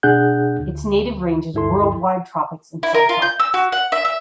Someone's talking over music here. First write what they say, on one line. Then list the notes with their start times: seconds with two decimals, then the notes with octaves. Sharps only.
Its native range is worldwide tropics and subtropics.
0.03 B2 D4 G#4 F#5 F#6 G6
0.60 D2
1.54 D2 G2 E4 A4 C6
2.83 E4
2.94 A#4
3.09 F4
3.22 G6
3.40 E6
3.54 F#4
3.72 F#5
3.92 E5
4.05 E5